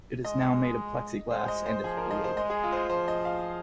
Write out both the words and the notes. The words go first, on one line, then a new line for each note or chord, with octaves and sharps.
It is now made of plexiglass and is blue.
G#3 D#5
G#3 C5
D#5
C5
F3 G#4
A#4
D#5
C5
G#3 D#5
G#4
F4
C5
D#5
F3 C5
D#5
F5